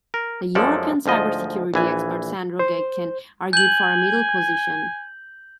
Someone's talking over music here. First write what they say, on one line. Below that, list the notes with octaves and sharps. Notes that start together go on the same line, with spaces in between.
The European cybersecurity expert Sandro Gaycken argued for a middle position.
A#4
F#2 F3 G#3 A4 D5
D2 G#2 F3 D#5
A#1 E3 G#5
C5
G#5 G6 F#7